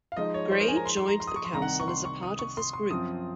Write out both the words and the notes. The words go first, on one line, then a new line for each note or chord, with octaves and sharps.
Grey joined the Council as a part of this group.
F5
F3 G#3 D#4 D#5
C#5
C5
A#4
G#5
A#5
C6
C6
A#5
C6
D#6
C#6
C6
C2 C3 D#3 A#5
F#5
C#6
C6
C#6
D#6
C#6
C6
C6
F#2 F3 C4 F4 D#6